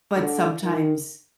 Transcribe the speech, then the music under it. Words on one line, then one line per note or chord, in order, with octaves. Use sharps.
but sometimes,
D3
D#3